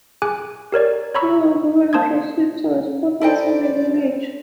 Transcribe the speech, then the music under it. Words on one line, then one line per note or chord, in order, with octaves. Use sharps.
Two old women proceed to a spot outside the village.
G#4 G#5 D6 F#6
G4 A#4 C#5 D5
C#5 A#5 B5 C#6 E6
A#3 C5 A5 C6 D#6 G#6
E4 A4 C5 D5 D#5 G5